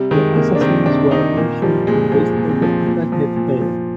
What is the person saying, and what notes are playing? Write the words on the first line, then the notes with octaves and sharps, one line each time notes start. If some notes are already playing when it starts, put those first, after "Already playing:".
The assassins were initially convinced that the attack had failed.
Already playing: C3 G3
D#3 G#3
C3 A#3
D4
D#3 C4
C3 D4
D#3 D#4
A#2 A#3
F3 G3
A#2 G#3
F3 G#3
A#2
C4
F3
A#2
F3
A#2
F3